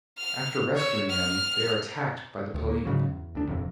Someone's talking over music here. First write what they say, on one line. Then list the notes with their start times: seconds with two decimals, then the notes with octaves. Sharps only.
After rescuing them, they are attacked by the Paling.
0.17 F6
0.76 C#5 E6
1.09 F6
2.54 D2
2.70 A#3
2.85 G#2 C#3 F#3
3.08 E2
3.35 D2 D4
3.48 D#1 F2 C3